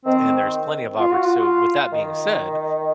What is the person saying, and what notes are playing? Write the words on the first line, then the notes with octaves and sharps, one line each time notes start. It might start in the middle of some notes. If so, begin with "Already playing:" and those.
And there's plenty of opport so, with that being said,
D#3 C4
F4
F#4
F4
D#3